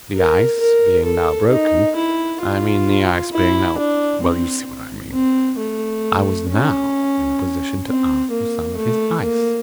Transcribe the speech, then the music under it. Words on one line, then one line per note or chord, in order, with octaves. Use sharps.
The ice being now broken--I mean the ice being now--well, you see what I mean--I was now in a position to ask for some of his ice.
A#4
A#4
A4
D#4
E4
F4
E4
D4
C4
C4
A3
C#4
C4
A#3
A3
A#3